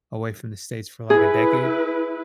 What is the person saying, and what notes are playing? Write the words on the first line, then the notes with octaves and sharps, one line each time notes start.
away from the States for like a decade.
E4 G#4 B4